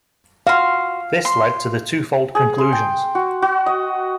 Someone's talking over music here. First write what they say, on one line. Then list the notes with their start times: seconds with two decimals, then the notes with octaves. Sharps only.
This led to the twofold conclusions.
0.47 F#4 F5 C6
1.25 C6
2.35 G#4
2.58 C6
2.72 G5
3.15 F#4
3.42 F#4
3.66 D#5